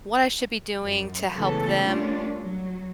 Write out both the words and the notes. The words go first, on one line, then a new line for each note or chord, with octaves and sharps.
what I should be doing to help them
F#2
C#3 E3 G#3 A3 B3 A4
G3 A3 A#3 C#4 D4 F4
F#3